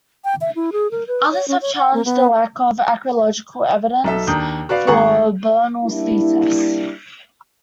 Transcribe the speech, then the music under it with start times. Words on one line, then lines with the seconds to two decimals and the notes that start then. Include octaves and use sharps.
Others have challenged the lack of archaeological evidence for Bernal's thesis.
0.25 G5
0.41 E5
0.56 E4
0.73 G#4
0.91 A#4
1.07 B4
1.31 C#5
1.48 C#4
1.61 C#5
1.75 F#5
1.94 A#3
2.06 B3
4.04 B1 A4 E5
4.27 D#2 D4 A#5 D#6 G6
4.69 F#4 B4 D5 F5
4.87 G#1 G#4 F#5 A#5 C#6
5.85 G3 A#3 D4 E4